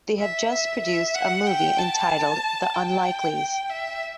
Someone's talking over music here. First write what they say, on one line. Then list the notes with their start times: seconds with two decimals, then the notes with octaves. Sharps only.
They have just produced a movie entitled The Unlikeleys.
0.19 E5
0.51 E5
0.83 E5
1.15 F#5
1.46 G5
1.79 A5
2.74 G5
3.69 E5